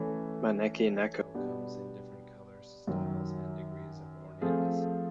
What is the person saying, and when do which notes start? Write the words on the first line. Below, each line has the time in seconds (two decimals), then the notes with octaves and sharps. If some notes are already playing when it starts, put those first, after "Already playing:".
"Maneki-neko" comes in different colors, styles and degrees of ornateness.
Already playing: E3 A3 C#4
1.34 B2 G3 B3 D4 G4
2.87 F#2 D#3 F#3
4.41 F3 A3 C4 F4 G#4